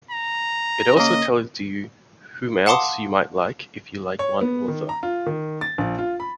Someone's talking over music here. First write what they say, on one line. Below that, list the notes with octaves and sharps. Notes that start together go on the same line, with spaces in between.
It also tells you whom else you might like if you like one author.
A#5
C#3 A#3 D#5
F5 F#5 A5 C6 D6 D#6
C#5
B3
D#3
A#5
F4
D#3
A6
A#1
F4
B5